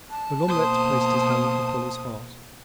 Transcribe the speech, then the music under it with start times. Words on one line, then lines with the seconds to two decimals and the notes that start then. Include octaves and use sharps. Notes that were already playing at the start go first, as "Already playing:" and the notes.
De L'Omelette placed his hand upon his heart.
0.10 A5
0.49 B2 A#3 C5 D#6